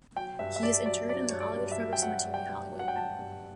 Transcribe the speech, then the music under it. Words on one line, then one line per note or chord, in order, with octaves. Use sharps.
He is interred in the Hollywood Forever Cemetery, Hollywood.
F#3 G5
G2 E5
E5
G2 D5
F#3 D5
F#3 D5
G2 C#5
D5
G2
E5
F#3
G5
F#3 F#5
G2
G5
G2
F#3
F#5
G5
F#3 A5
G2